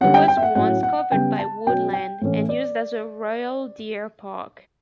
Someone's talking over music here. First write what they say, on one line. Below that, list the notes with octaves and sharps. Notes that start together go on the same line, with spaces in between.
It was once covered by woodland and used as a royal deer park.
D3 G3 C#4 F#5
G5
G5
E5
F#5
A2 F#3 C#4 F#5
F#5
C#3 G3 B3 G5
A5
B2 F#3 C#4 G5
G5
A2 E3 A3 C#4
D5